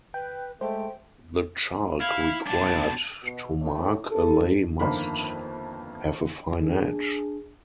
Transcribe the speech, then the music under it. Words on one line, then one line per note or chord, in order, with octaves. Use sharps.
The chalk required to mark a lay must have a fine edge.
B4 G5
G#3 A3 C5 G5
E4 F5
B2 D4 A5
B2
A2
A4
G1 F2 D#3 A#3 B5
D4 G#4